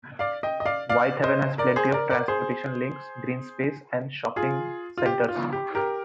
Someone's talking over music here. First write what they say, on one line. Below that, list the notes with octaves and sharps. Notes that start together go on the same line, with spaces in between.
Whitehaven has plenty of transportation links, green space and shopping centres.
D5 F5
D#5 G5
D#5
D5 F5
D5 F5
C5 D#5
A#4 D5
G#4 C5
A#4 D5
A#4 D5
G#4 C5
F4 G#4
F4
G4
F4
G4
G4 A#4